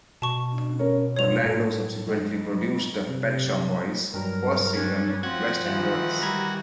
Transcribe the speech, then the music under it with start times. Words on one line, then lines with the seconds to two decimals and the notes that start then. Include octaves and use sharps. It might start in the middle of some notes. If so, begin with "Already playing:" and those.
Orlando subsequently produced the Pet Shop Boys' first single, "West End Girls".
0.22 B2 A5 C#6
0.79 C#4 A#4
1.16 F3 C#5 F7
1.46 A2 A4
2.09 G#3
3.09 C3
4.14 G2 F#3 A#4
4.74 C#4 D4
5.23 F3 C4 F#4 G#6
5.66 D#3 E3 F4
6.22 G3 A#5 B5 G#6